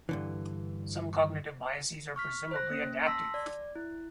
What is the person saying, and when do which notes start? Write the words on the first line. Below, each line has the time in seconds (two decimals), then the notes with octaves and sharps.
Some cognitive biases are presumably adaptive.
0.09 G2 D3 E3
2.16 C#6 F6 B6
2.51 C5 F#6 A#6
2.70 A#3 C#4
3.05 A5 C6 E6 A#6 B6
3.34 D5
3.75 E4